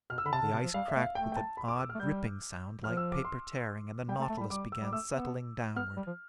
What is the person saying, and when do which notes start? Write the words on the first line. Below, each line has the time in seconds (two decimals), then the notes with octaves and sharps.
The ice cracked with an odd ripping sound, like paper tearing, and the Nautilus began settling downward.
0.10 B2 F6
0.18 E6
0.25 D3 B5
0.33 C3 A5
0.42 D3
0.53 C3
0.64 F3
0.74 G3 F5
0.88 E5
0.96 A3
1.02 F5
1.15 A3 G5
1.32 G5
1.37 A5
1.57 B5
1.68 D6
1.79 E6
1.89 F6
1.95 A3
2.00 G3 G6
2.83 F3 F6
2.97 E6
3.12 D6
3.25 C6
4.08 G3 G5
4.19 A3
4.22 A5
4.30 A3
4.37 G3 B5
4.50 G3 D6
4.72 E6
4.81 G3 D6
4.92 A3 E6
5.13 B3
5.76 B3 F6
5.97 G3
6.07 F3